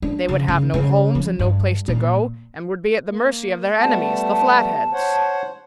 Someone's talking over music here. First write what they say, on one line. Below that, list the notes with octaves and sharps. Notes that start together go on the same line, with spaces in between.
"They would have no homes and no place to go, and would be at the mercy of their enemies, the Flatheads."
D4
C#3
C#3
C#3
F3
G2
A#2
A#3
G3 A3 B3 A5
C5 C#5 F#5